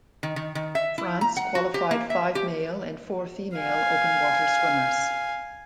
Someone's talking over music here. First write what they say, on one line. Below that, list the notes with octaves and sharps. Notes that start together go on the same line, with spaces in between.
France qualified five male and four female open water swimmers.
D#3
D#3
D#3
E5
E4
A#5
F#5
F#4
G4
A#3
E5
G4
F5 G#5